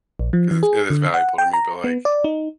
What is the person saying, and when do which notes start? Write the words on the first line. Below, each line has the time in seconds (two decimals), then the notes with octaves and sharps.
'cause it's it is valuable to me, but, like,
0.19 A#1
0.33 F3
0.51 E3
0.63 G#4
0.90 D3
1.14 F#5
1.38 G5
1.53 A#5
1.84 B3
2.05 D5
2.24 D#4